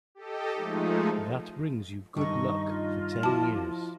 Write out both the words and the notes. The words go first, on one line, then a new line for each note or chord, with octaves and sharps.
That brings you good luck for ten years.
G4 A4 D#5
F3 G#3 A3 D#4
G2 D#3 D#4 D#5 C#6
F4 D#5
F3 E4 F#4 A5